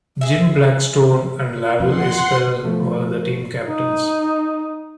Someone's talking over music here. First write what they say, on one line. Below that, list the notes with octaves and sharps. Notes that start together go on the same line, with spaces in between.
Jim Blackstone and Lavell Isbell were the team captains.
G#4 E5
F2 A#2 F#5 C6
B2 F3 A3
D#4